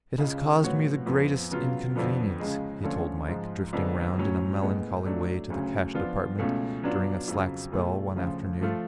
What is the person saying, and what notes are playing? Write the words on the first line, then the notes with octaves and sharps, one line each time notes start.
'It has caused me the greatest inconvenience,' he told Mike, drifting round in a melancholy way to the Cash Department during a slack spell one afternoon.
C#2 C#3 G#3
A2 F3 B3 F#4 C#5
F2 F3 B3
C#3 F#3 B3 F4
F2 D3 F3 B3
C#2 C#3 G#3
D3 F3 A3 C#4 F4
G#2 F3 G#3
F2 D3 G#3 B3
A2 F#3 C#4
A2 G#3 B3
F#3 A3 D4
D2 C#3 F#3 C#4
F3 B3 D4 F4
C#2 B2 A3 C#4
F#3 B3 D4 F4
F2 C#3 F#3
B2 A3 F4 G#4
D2 C#3 F3
F3 A3 F4